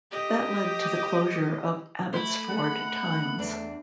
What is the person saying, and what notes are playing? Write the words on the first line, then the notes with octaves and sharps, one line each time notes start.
That led to the closure of Abbotsford Times.
G4 D#5
A3 E4 B5 C6
G#4 A4 D#5 F#5
E2 D4 D5